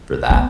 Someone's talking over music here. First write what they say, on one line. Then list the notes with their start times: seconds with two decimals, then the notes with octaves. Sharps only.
for that?
0.30 B3